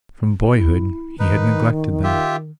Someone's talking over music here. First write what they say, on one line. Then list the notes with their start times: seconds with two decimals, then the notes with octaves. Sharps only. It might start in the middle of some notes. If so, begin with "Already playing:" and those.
From boyhood he had neglected them.
0.54 E4
1.19 D#3 D#4 B4
2.03 F4 G4 E5